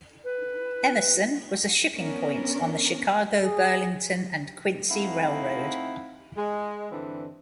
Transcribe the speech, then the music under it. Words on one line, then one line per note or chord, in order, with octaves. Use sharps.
Emerson was a shipping point on the Chicago, Burlington and Quincy Railroad.
B4
B3 C#4 D4 A#4
G#4
A3 C4 D#4 E4 F5 F#5
G#3
G2 D3 E3 G3 C4 D4